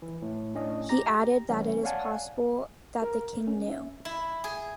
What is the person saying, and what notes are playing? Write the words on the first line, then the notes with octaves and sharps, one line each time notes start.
He added that it is possible that the King knew.
E3
A2 A3
A2 C#4 D4 D#5
G4 A#5 A#6
C3 E3 G3 A3 B3 C#4
C#5 D5 F5 F#5 G#5 A5
A#4
C#4
E5
E4
G#4